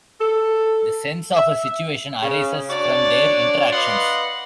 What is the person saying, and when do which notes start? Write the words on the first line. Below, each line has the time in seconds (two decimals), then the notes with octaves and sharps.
The sense of a situation arises from their interactions.
0.20 A4
1.36 E5
2.22 C#3
2.70 D4 F#4 C#5 D5
3.72 B4 D5 D#5 F5 F#5 C6